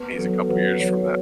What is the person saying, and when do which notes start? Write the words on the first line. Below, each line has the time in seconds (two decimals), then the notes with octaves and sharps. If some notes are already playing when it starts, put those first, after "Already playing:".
He's a couple of years from that.
Already playing: B3 B4
0.18 F#3 A4
0.49 F#3 B4
0.80 F#3 C#5